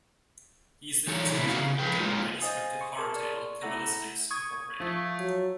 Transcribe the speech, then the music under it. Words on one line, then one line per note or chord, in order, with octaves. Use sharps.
He is the illustrator of Gordon Rennie-scripted horror tale Caballistics, Inc..
E3 D#4 A4 C#5
A#2 C#3 E4
B3 C4 D#4 F#4 F5
C#3
F3 B4 G5
G#3 A#3 D#4 F4
C5 D#5 F5 G#5 D#6 A6
C6 C#6 C#7
G#4 A#4 A5 C6
D5 C#6
A3 E4 A4 F#5 A#5 A#6
C#6 D#6 G#6
F3 A3
F#3